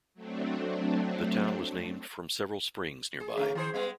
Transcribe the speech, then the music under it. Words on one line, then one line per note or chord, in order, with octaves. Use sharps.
The town was named from several springs nearby.
F#3 A3 C4 D4
G#4
D3 A3 C#4
D#3 G#4 C5
G3 G#3 B3